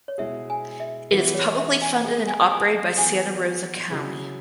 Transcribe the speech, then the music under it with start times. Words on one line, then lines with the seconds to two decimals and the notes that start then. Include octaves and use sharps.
It is publicly funded and operated by Santa Rosa County.
0.08 C#5
0.18 B2 G#3 E4 G#4 E5
0.50 G#5
0.80 E5
1.11 E3 B3 E4 B4
1.34 C#5
1.58 E5
1.82 G#5
2.05 G#3 B3 G#4 F#5
2.28 G#5
2.51 G#5
2.98 E3 B3 G#4 G#5
3.90 C#3 F#3 E4 G#4